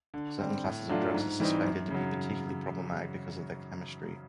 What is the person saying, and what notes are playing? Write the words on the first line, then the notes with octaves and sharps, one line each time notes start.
Certain classes of drugs are suspected to be particularly problematic because of their chemistry.
D3
G3 C4
A2
F#3 A3 D4 F4
G#2
E3 G3 C4 D#4
F#2
C#3 F#3